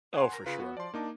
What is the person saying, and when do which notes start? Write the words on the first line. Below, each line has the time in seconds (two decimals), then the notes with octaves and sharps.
Oh, for sure.
0.14 F#5 G#5 C6
0.33 A#4 A#5
0.46 C#3 F4 B4 F5
0.60 B3 F#4
0.77 F3 D5 C6
0.94 A#3 D4 D#4 D6